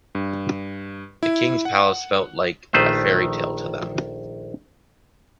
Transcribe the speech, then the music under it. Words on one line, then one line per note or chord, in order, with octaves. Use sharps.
The king's palace felt like a fairytale to them.
G2
E4
F#5
A#1 D#3 A3 B4 C5